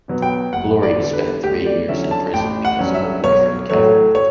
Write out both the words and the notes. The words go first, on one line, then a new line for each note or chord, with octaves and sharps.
Gloria spent three years in prison because of her boyfriend, Kevin.
B2 F#3 B3
G5
F#1 F#5
D5
E2 D3 G3 B3
B4
D2 G4
D5
D3 F#3 C#4 E5
A5
A1 G5
F#5
G2 F#3 C#4
E5
B1 C#5
A2 F#3 A3 C#5
C#5